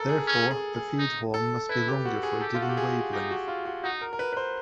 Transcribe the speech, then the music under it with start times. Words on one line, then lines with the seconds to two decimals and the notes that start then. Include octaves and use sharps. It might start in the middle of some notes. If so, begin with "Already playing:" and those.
Therefore, the feed horn must be longer for a given wavelength.
Already playing: A4 A#4
0.09 G#4
0.27 C#4
0.51 G#4
0.75 G#4
0.99 D#4
1.34 A4
1.69 E4 B4
1.88 G4
2.05 F#4
2.23 G#4
2.41 G4 A4
2.55 F4
2.62 F#4
2.69 G4
2.77 G#4
3.12 D#4 G4
3.31 F#4
3.48 F4
3.65 F#4
3.84 D#4 F#4
4.01 A#4
4.13 A#4
4.19 B4
4.33 B4
4.37 C5